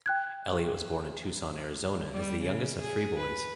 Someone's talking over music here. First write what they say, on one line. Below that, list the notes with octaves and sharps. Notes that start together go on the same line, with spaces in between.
Elliott was born in Tucson, Arizona as the youngest of three boys.
G5 F#6 G#6
G3
C#3
G#4
B4